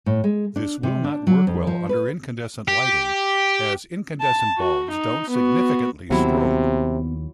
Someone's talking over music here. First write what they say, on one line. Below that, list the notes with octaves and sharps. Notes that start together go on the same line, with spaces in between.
This will not work well under incandescent lighting, as incandescent bulbs don't significantly strobe.
A2
G#3
D4
C3
D4
F#3
F2
F3
B4
G4
A5
F#4
D#4
B3 F#4
D#2 C3 F#3 B3 E4